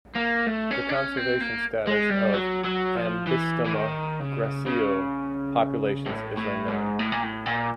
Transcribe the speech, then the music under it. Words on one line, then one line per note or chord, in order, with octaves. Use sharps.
The conservation status of "Ambystoma gracile" populations is unknown.
A#3
A3
C#4
D4
C#4
C4
A#3
G#3
G3
F#3
F#3
F3
E3
E3
D#3
C#3
C#3
A2
A2
G#2
A2
A#2
A2
A#2